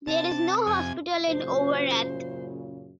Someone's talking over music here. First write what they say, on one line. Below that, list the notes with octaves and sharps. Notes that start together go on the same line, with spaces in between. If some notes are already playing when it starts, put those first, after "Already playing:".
There is no hospital in Overath.
C3 A5
F2 G#5
F#2 A#2 C#3 C5